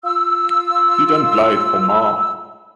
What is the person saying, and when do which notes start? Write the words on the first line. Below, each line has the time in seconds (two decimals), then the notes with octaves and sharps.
He then played for Marr.
0.05 F4 E6